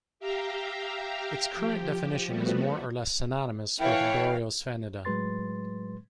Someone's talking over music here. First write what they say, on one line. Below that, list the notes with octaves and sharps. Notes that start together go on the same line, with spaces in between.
Its current definition is more or less synonymous with Boreosphenida.
G4 E5 F5 G5 A#5
F3 G4
F3 G3 A3 B3 F#4
E3 E4 A4 C#5 F5 G5
A2 F#3 G#3 B4 C6 A6